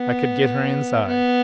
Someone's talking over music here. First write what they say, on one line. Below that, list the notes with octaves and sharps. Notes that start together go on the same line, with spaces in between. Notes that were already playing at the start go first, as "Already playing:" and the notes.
I could get her inside.
Already playing: B3
B3